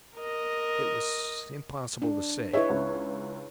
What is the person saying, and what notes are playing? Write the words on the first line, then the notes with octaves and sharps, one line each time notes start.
It was impossible to say.
A#4 D#5
D4
E4 G#4 B4 C#5 D#5 E5
C#2